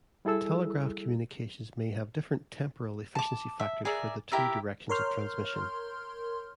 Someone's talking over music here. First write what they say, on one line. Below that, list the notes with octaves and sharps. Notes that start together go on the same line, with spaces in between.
Telegraph communications may have different temporal efficiency factors for the two directions of transmission.
G3 E4 G#4 A4 E6
A5 D6
E5
G#4 A#4 D5 E5
E4 G4 A#4 E5
A#4 C#5 C6 F6 G6